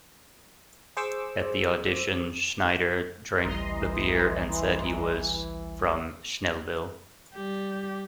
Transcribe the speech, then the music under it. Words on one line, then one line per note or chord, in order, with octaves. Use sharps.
At the audition, Schneider drank the beer and said he was from Snellville.
G#4 C5 C#6 D6 E6
A1 D2 E3 G3 D#5 A#5 C6
G3 G4